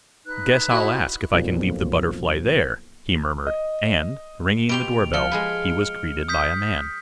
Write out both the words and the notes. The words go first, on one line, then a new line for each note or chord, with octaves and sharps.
"Guess I'll ask if I can leave the Butterfly there," he murmured, and, ringing the doorbell, he was greeted by a man.
D#4 B4 F#6
E4 F#4 D#5
B1 F2 A#2
D#5
B2 G4 C6 D7 F7
F3 F6 C#7 G7
G#3 G#4 B4
D#6 G6 B6